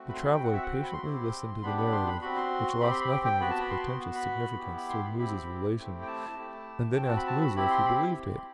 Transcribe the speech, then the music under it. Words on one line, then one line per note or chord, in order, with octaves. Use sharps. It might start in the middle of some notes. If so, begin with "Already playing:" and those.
The traveller patiently listened to the narrative, which lost nothing of its portentous significance through Musa's relation, and then asked Musa if he believed it.
Already playing: A3 C4 F#4
B5
C6
B5
G5
C4 F#4 F#5
E5
F#5
G5
B5
C6
C4 E4 G4
B3 D4 G4 B5
B5
C6
B5
C4 F#4 B5
C6
C4 G4 B5
C6
B5
G5
G5
B3 F#4 B5
A5
B5
C6
B3 F#4
B5
B3 E4 G4
B5
C6
B5
C4 E4 G4 B5
B5
A3 C4 E4 G4
G5
A5
A3 E4 G4
C4 F#4 G5
A5
B5
A5
B5
C4 E4 G4 B5
C6
B5